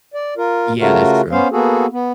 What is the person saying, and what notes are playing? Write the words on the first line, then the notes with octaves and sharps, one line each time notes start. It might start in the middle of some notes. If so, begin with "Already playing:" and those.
Yeah, that's true.
D5
F4 A#4
C#3 A3 F4 F#4 A#4
B3 C#4 C5 F5
A#3 B3 F#4 G#4 A4
B3